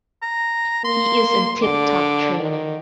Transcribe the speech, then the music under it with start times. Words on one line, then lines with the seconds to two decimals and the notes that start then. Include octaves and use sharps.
He is in tip-top training.
0.22 A#5
0.85 A#3 C6
1.63 D3 D6
2.40 D#3